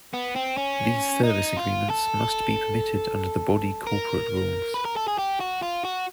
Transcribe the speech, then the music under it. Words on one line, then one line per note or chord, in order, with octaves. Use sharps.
These service agreements must be permitted under the body corporate rules.
B3
C4
C#4
D#4
F4
A4
A#4
B4
A#4
A4
G#4
G4
F#4
F4
F#4